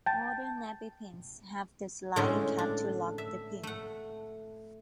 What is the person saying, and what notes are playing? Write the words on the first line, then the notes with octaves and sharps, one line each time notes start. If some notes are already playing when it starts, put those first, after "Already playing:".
Modern nappy pins have the sliding cap to lock the pin.
G5 A5
A2 D3 G#3 C4 C#4 G#4
D4
E5
A3 F#5